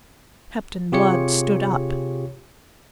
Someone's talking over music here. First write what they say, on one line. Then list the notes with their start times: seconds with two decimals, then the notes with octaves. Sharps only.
Captain Blood stood up.
0.92 C3 F4 G4 G#4 C#5 C#7